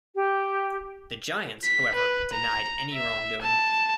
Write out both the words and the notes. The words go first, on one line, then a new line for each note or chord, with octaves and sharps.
The Giants, however, denied any wrongdoing.
G4
B6
B4
A#5
E5
A5